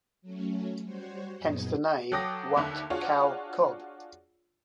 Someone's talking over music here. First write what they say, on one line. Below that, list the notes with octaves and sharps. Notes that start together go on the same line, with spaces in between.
Hence the name "Wat Khao Kob".
F#3 A3 C#4
G3 F#4 C5 C#5
F#2 A#2 B3 D#4 G#4
F#3 A4 G5 D6 D#6 A#6
D#2 D3 E5
D4 F4 F#4 G#4 C#5